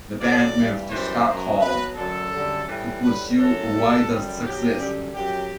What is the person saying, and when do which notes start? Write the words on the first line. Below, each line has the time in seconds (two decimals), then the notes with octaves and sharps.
The band moved to Stockholm to pursue wider success.
0.19 A2 F#3 D5
0.54 G2 E3 G3
0.89 F#2 E3 G3 C5
1.25 F#2 F#3
1.60 B2 F#3 B4
1.95 F#2 D3 F#3 A4
2.31 F#2 D3 G3
2.66 A2 E3 G3
3.01 A2 G3 B4
3.36 F#2 F#3 A4
3.71 B2 G3
4.06 F#2 D3 G3
4.42 B2 F#3 G4
4.77 F#2 D3 G3
5.13 F#2 F#3 G4